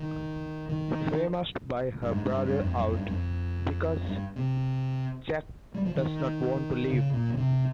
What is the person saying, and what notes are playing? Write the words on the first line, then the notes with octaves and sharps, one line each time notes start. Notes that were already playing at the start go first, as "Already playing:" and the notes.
Fay must buy her brother out, because Jack does not want to leave.
Already playing: D#3
D#3
G2
G#2
G#2
G2
G2
F2
G2
F2
F2
G2
F2
G2
C3
G3
F3
D#3
C#3
A#2
C#3
C3